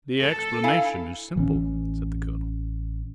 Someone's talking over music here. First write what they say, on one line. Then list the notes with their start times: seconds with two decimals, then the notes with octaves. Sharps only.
"The explanation is simple," said the colonel.
0.21 A4
0.63 E4 F5 G#5
1.36 A1 E3 F3 C#4